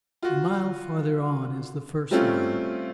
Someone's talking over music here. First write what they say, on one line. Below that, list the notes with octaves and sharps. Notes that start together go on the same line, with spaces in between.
A mile farther on is the first line.
F4 F#4
G3 A3 C4 C#4 F4